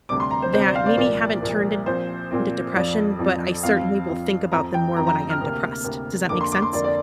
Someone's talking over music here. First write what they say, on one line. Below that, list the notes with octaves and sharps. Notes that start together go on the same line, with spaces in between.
that maybe haven't turned into depression, but I certainly will think about them more when I am depressed, does that make sense?
D2 C3 G3 C4 D6
C6
A#5
C5
D2 C3 G3 C4 C5
D5
F5
D5
C2 A#2 F3 A#3 D5
C2 A#2 F3 A#3
A#2 F3 C4 C5
A#2 F3 C4
F2 F3 C4 D5
F2 F3 C4
F2 F3 C4 F5
F2 F3 C4
F2 F3 C4 A#5
G5
F2 F3 C4 A#5
A#5
F6
D2 C3 A#3
D2 C3 A#3
F2 D3 A#3 D6
C6
D6
C6
F2 D3 A#3 D5
D5